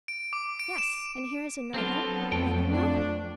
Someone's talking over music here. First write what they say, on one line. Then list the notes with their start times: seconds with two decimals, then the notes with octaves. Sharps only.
Yes--and here is another, and another.
0.08 D7
0.33 D6
0.60 D7
0.78 E7
1.74 F#3 B3 C4 D4 F4 A4
2.32 F2 A3 G5
2.71 D4